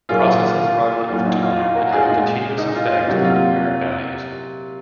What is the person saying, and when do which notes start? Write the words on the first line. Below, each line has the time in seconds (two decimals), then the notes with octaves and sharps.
Processes run over time and have a continuous effect on numeric values.
0.09 A#2 F#3 A#3 F4 G#4
0.59 F4
1.09 A#2 F#3 A#3 F4
1.25 D#4
1.43 F4
1.58 F4
1.75 F#4 A#4
1.92 F4 G#4
2.09 A#2 D#4 F#4
2.12 G#3
2.58 D#4
2.75 F4
2.92 F4
3.08 C3 F#3 A#3
3.24 F4